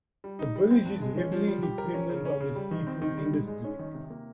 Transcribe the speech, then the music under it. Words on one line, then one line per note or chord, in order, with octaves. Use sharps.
The village is heavily dependent on the seafood industry.
G3
D#4
G3
C4
G2
G#3
C#4
F3
G3
G4
A#4
C#4
C#3
C#4
C#3
G3
D#3
C4
D#3
G3
G#2
G#3
C#4
D#3
C3
A#3